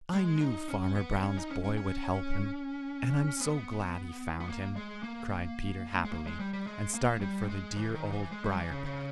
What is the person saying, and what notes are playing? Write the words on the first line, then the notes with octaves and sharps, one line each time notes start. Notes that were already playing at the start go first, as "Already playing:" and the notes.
"I knew Farmer Brown's boy would help him, and I'm so glad he found him," cried Peter happily and started for the dear Old Briar-patch.
G#3
D#4
C#4
B3
C#4
D#4
C#4
C#4
C#4
B3
B3
A#3
G#3
A#3
G#3
A#3
G#3
G3
G3
G#3
A#3
G3
G#3
E3
D#3
E3
G#3
G3
E3
C#3
C#3